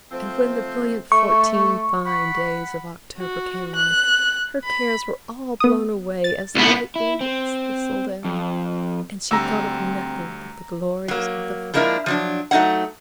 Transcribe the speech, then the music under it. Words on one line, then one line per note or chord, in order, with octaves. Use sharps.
And when the brilliant fourteen fine days of October came on, her cares were all blown away as lightly as thistledown, and she thought of nothing but the glories of the forest.
F3 A3 C4
A3 C#6
F#5 B5
F#4
F#6
B5
B3 D#6
A6
C2 B3
E4
C4
F2
D2 G3 C4 A#5 E6
F#3 A#3
F3 G#3 A#3 D4 E4 A#4
F3 F#3 D4
F#3 A3 D#4 C#5 F#5